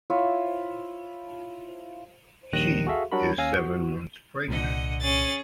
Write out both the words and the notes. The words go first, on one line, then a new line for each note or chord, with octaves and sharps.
She is seven months pregnant.
E4 F4 C#5 E5
A#1 D#2 D#3 G3 F#6 A#6
F#4 G#4 A4 E5 F5
F#3 G3 D4 F#4 A#4 B5
D#2 C#4 F5 G#5 E6 A#6
F#4
C2 A#2 D3 D#5 F#5
C#4 G#4 A6